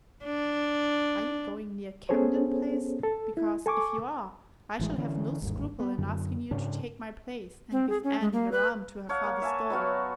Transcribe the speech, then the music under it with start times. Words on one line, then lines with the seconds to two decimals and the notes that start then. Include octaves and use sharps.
Are you going near Camden Place? Because, if you are, I shall have no scruple in asking you to take my place, and give Anne your arm to her father's door.
0.25 D4
2.09 B3 C#4 G#4 A4 C5 C#5
3.03 A4
3.37 E4
3.66 A4 G#5 C#6 D6
4.79 A1 E3 G#3
4.97 D3 E3 C#4
5.42 G1 D#2 G#2
5.80 B3
5.98 F#2 D3
6.51 G#2 C#3 C#4 D4
7.72 C4
7.90 G#4
8.04 C#4
8.21 G#3
8.33 A#3
8.52 B4
9.09 A4 C#5 F5 F#5
9.24 A#3
9.42 E5 G#5 A5
9.70 F#3 B3 F#4 F5